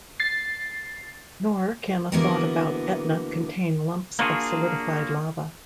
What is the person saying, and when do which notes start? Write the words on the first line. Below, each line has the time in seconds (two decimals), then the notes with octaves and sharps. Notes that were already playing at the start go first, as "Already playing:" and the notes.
Nor can a thought about Etna contain lumps of solidified lava.
0.20 A6 C7
2.12 D3 E3 A#3 B3 F#4 A#4
4.19 A#3 D4 F4 F#4 G#4